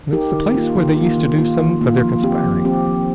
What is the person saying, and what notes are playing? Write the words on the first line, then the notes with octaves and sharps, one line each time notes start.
And it's the place where they used to do some of their conspiring.
D#4 G4 A#4
D#3
A#3 F4
D#3
A#3 F4
D#3
A#3 F4
D#3
A#3 F4
F3
C4 G4
F3
C4 G4
F3